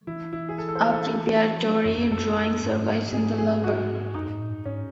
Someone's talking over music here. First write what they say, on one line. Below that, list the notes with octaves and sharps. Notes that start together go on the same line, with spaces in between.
A preparatory drawing survives in the Louvre.
E3 E4
E4
G#4
A4
A4
C5
A4
F#3
E3
F#2
F#2
F#2 A4
A4
G#2
G#2 G#4
G#4
F#4
F#2 D#4
G#2
A2
G#2
G#2 C#4